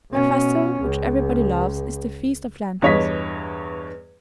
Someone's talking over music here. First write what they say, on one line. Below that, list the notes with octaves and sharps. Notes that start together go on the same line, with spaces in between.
A festival which everybody loves is the Feast of Lanterns.
B2 C#4
C#2
E2 G2 C#5 D#5 B6